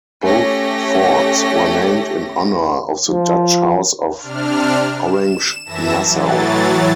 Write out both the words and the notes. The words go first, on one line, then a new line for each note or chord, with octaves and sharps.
Both forts were named in honor of the Dutch House of Orange-Nassau.
A3 C#4 G4 C#5 A#6
F3
C3 D4 F6
E7
F#2 E3 E5 A5 A#6 E7
A2 E3 F#3 A6